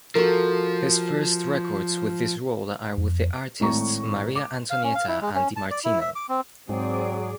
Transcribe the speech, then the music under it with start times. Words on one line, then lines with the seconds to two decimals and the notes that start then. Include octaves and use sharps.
His first records with this role are with the artists Maria Antonietta and Dimartino.
0.15 F3 F#4 A4 A#4
2.97 F2
3.60 G#1 A2 A3 A#5 C#6
4.36 D6
4.70 F5
4.84 C#4
4.95 F5
5.08 E4
5.21 G#3
5.35 C#4
5.56 A5
5.71 D5
5.85 E4
6.01 E5
6.16 D6
6.29 C4
6.69 G#2 F#3 C4 G#4 D5